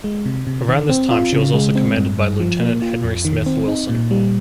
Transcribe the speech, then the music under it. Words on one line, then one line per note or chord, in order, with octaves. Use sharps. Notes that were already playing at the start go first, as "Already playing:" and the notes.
Around this time she was also commanded by Lieutenant Henry Smith Wilson.
G#3
C3
C3
D#3
C4
F4
C#3
G#3
C4
G2
G2
F3
A#3
F4
F2
D#3
C4
D#4
A#2
G3